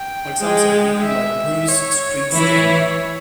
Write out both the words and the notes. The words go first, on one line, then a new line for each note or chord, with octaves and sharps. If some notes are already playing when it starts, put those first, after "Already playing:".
All songs are written by Bruce Springsteen.
Already playing: G5
G#3
E5
C#5
E3 E4 C#5